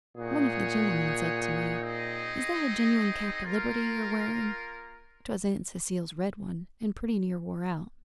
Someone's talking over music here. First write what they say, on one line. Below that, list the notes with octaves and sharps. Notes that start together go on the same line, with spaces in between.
One of the gentlemen said to me, "Is that a genuine cap o' Liberty you're wearing?" 'Twas Aunt Cecile's red one, and pretty near wore out.
A#2 D#4 G#4 C#5 F#5
C4 D#4 G#4 D#5
A#3 F4 A#4